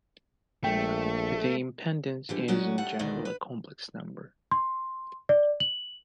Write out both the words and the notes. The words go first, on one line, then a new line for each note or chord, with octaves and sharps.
The impedance is, in general, a complex number.
A#1 G#3 A3 G#4 G5
D3 E3 G4
F#3 G#3 C#4 F#4 D5 D#5
G3 A3 F#5
D2 B2 D#3 D5
B4
C6
D5
F#7